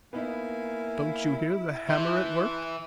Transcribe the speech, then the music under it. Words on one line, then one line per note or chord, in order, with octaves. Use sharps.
Don't you hear the hammer at work?
A#3 B3 D#4 E4 F5 G#5
E3 B4 E5 A5 C6 G6